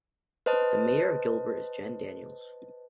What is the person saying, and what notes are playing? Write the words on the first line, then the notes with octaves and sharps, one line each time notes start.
The mayor of Gilbert is Jenn Daniels.
B4 C5 D#5 A5